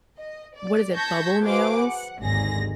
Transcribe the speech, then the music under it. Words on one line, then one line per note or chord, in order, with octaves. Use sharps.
what is it? Bubble nails?
D#5
D5
A5 C#6 G6 G#6 A#6 B6
F#4 G#4 B4 C5 F5 D6
F#5
G#1 D#2 G#2 D3 G#4 A#6